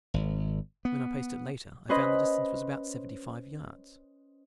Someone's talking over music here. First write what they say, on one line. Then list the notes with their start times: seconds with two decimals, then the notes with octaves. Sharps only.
When I paced it later I found the distance was about seventy-five yards.
0.14 G#1
0.85 B3
1.89 C#4 B4 C5 D#5